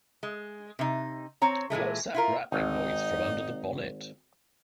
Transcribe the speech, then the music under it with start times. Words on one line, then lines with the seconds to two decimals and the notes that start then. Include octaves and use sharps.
What's that rattling noise from under the bonnet?
0.23 G#3
0.79 C3 D#4
1.42 C4 C#5 A#5
1.70 A#2 E3 G#3 A3
2.15 E4 F4 A#4
2.52 G#1 D#4